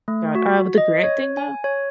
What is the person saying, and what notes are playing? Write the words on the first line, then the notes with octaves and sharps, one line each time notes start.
God, uh, with the Grant thing though,
A3
F#4
D#5
C#5
G#5
C#5